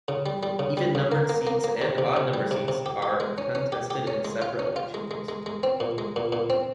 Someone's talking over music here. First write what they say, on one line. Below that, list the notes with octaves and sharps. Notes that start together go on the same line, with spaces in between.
Even numbered seats and odd numbered seats are contested in separate election years.
C#3
G3
G3
C#3
G3
C#3
A#3
A#3
A#3
A#3
C3
C3
C3
G3
C3
C3
G4
G4
G#3
C#4
C#4
G4
G4
C#4
G#3
F4
C#4
F4
G#3
G#3
G#3
G#3
C4
A#2
G#3
A#2
A#2
C4